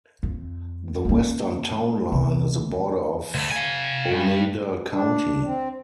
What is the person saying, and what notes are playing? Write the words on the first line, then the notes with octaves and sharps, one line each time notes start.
The western town line is the border of Oneida County.
F2
A#3 C#4
C2
D2 A3
F5 G#5
G2
D4
C4